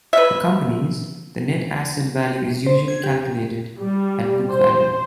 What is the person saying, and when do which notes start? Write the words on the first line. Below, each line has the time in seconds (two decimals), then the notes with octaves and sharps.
For companies, the net asset value is usually calculated at book value.
0.13 B4 E5
2.66 C5
2.88 G#6
3.04 G4
3.79 G3
4.50 C5